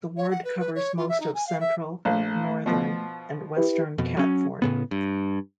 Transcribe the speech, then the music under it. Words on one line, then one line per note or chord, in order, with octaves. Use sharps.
The ward covers most of central, northern and western Catford.
C#5
F#5
B4
B4
C#5
F4
E5
D#4
G#5
F5
E5
A#1 A3
B2 F3
E4 G4 B4
F2 B2
F#3 C#4
A2 C#3 B3
G2